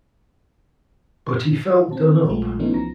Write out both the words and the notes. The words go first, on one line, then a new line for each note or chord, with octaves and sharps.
But he felt done up.
F#4
C4 A5
A#1 F#3 G#3 A3 F4
E3 F3 A3 B3 C#4 D#4
C2 F3 A#5 A#6